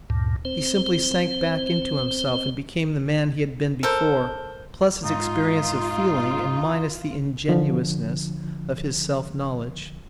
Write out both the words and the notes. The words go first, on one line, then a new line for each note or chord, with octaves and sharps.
He simply sank back into himself, and became the man he had been before, plus his experience of feeling, and minus the ingenuousness of his self-knowledge.
D2 G2 A#2
C4 C5
A4 A#4 C5
G#2 D#4 F4
D3 F3